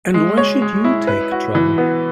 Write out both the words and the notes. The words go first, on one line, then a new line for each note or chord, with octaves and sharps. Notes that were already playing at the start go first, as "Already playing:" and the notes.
And why should you take trouble?
G#3
C#5
G#3
E4
B4
F#4
E3
B3